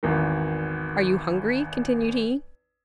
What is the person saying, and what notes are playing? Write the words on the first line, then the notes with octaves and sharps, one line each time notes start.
"Are you hungry?" continued he.
G#1 E2 D#3